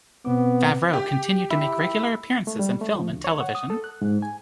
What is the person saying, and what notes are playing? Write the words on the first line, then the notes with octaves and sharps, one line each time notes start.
Favreau continued to make regular appearances in film and television.
B2 B3 C4 D6
G4
E4
A3
G3
A3
F3
D2
C#5
F#5
D#6
A4
F#6
G#2
G#5